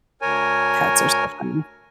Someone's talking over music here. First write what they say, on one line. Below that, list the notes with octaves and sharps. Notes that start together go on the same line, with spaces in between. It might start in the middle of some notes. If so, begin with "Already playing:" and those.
Cats are so funny.
D2 A#4 C#5 G#5